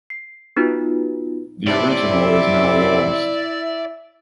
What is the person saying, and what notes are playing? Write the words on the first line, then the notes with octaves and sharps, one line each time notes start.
The original is now lost.
C7
B3 D#4 F4 F#4 B4
C3 E4 D5 E5 A5